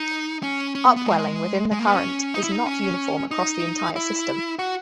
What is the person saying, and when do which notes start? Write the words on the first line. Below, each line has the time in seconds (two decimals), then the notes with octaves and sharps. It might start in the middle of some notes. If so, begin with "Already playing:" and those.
Upwelling within the current is not uniform across the entire system.
Already playing: D#4
0.43 C#4
0.75 C#4
0.85 B3
0.96 B3
1.06 G#3
1.71 G#3
1.79 A#3
1.87 B3
1.95 C#4
2.34 D#4
2.44 E4
2.52 D#4
2.66 C#4
3.31 D#4
3.96 E4
4.59 F#4